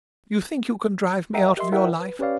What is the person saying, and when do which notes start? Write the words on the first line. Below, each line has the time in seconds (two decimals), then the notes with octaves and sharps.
You think you can drive me out of your life.
1.34 A#4 D#5 E5 F#5 G5 A#5
1.57 G4 A#4 D#5 E5 C6
1.72 E4 A#4 D5 E5 F#5 G5
1.88 B4
2.19 C#4 G4 B4 C#5 D5 F5